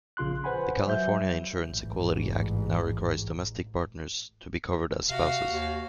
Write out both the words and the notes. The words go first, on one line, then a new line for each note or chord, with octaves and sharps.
The California Insurance Equality Act now requires domestic partners to be covered as spouses.
A#1 C#3 F4 C6 F#6
B4 C5 F#5 G#5 B5
F#3 E5 G6
A1 G#2
C3 F#4 F5
D#2